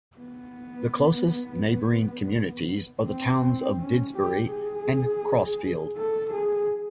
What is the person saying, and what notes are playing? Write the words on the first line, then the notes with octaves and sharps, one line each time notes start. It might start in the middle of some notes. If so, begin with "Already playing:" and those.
The closest neighbouring communities are the towns of Didsbury and Crossfield.
B3
C4
C#4
G4
G#4
A4
G#4